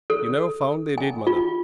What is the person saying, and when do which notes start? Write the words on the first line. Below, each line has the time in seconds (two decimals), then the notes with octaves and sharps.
"You never found they did, mother."
0.10 A4
0.98 G#5
1.27 F4